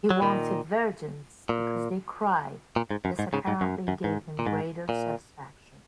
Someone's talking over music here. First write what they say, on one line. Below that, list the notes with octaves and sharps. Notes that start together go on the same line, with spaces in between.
He wanted virgins "because they cried"; this apparently gave him greater satisfaction.
F#3
A#2 D#3
A#2
A#2
G#2
F#2
G#2
G#2 C#3
G#2
F#2
F#2
G#2
A#2
G#2
A#2